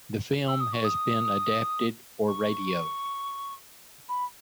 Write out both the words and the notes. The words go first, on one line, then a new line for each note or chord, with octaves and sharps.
The film has been adapted for radio.
E6
D#6
C#6
D#6
C#6
B5